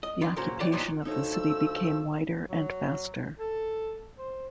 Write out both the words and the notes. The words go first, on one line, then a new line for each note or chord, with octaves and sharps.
The occupation of the city became wider and faster.
D#5
D#3 D4 F4 B4
A#2 C#3 F#3 A#3 C5 A#5
E3 C#5 D5 G5
F2 A#2 F3 F#3 B3 D#4
D2 F3 D#4 A4 C#5 A#5 E6
F#3
A4
C5